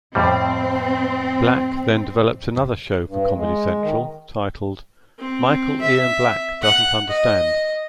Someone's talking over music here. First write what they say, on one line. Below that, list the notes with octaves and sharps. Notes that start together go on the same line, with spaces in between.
Black then developed another show for Comedy Central titled "Michael Ian Black Doesn't Understand".
F2 A2 G3 C4
G2
G#3
D#3
C4
E5
F#5
D#5